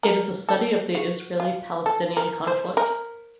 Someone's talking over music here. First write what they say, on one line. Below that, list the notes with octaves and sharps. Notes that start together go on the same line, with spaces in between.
It is a study of the Israeli-Palestinian conflict.
A#4
A4
F#4
F4
A4
A#4
C5
A#4